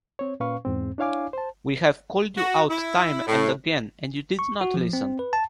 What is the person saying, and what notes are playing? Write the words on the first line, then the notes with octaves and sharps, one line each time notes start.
We have called you out time and again, and you did not listen.
C4 C#5
A#2 C#4 B4 F5 C#6
E2 G#2 C4
D4 E4 C#5 F5 G#5 D6
C5 A5
F#4
E4
A2
C#6
F#4
F3
C4
B4
A5